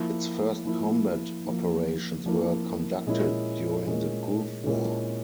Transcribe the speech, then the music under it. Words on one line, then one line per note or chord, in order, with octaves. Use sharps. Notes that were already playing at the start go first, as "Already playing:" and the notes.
Its first combat operations were conducted during the Gulf War.
Already playing: F3 A#3 E4
F3 A#3 E4
F3 A#3 E4
F3 A#3 E4
A#2 G#3 C#4 E4 A#4
A#2 G#3 C#4 E4 A#4
A#2 G#3 C#4 E4 A#4